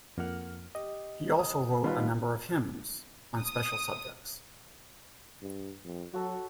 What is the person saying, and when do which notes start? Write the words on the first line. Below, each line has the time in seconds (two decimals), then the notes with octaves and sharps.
He also wrote a number of hymns, on special subjects.
0.18 F2 A#3 F#5 F6
0.75 G4 D#5
1.39 D#6
1.84 B2 D#3 G3 D#4 F4 B4
3.41 D#6
5.42 G2
5.84 F2
6.14 F#3 F#4 A4 C#5